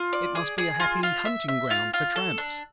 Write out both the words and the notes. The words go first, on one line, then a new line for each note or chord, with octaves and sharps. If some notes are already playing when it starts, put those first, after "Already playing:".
"It must be a happy hunting ground for tramps?"
Already playing: F4
D5
G#4
G#4
F4
F4
E5
E5
F4
F4
A4
D4